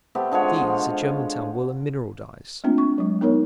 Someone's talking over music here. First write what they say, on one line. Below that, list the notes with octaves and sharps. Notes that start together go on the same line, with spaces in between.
These are Germantown wool and mineral dyes.'
A3 B3 C4 G4
D3 F3 G#3 C#5
A3 A#3 C4 D4 F4
C#6
F#3 G#3
B3 D#4 A#4 C#5